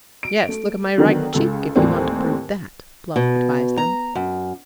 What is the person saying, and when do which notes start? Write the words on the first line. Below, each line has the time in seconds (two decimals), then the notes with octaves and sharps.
"Yes, look at my right cheek, if you want to prove that," Bluff advised them.
0.23 D7
0.49 A3
0.98 D3 D#3 F#3 B3
1.34 C#2 C#3 A4
1.76 D#2 A2 D#3 E3 G3 C4
3.16 B2
3.78 A#5
4.15 F#2